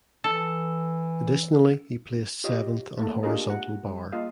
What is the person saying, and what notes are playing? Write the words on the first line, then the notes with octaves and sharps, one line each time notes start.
Additionally he placed seventh on horizontal bar.
E3 A4
F4 G4 C#5 D#5
A3 A#3 A4
D4 F4 G4 G#4 A#4 D#5
F#5
G3
A#3 F4 G#4 D#5 F5